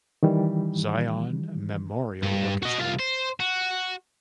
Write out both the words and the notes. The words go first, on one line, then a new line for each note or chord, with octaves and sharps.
Zion Memorial Orchestra.
D#3 E3 G3
G2
F#4 D#5
C2 F4
C5
F#4